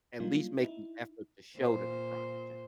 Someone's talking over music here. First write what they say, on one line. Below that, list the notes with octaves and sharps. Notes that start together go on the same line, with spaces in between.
At least make the effort to show that I'm trying to change it.
F#3 G3 A#3 D4 D#4 F4
D#4 E4
A#2 C5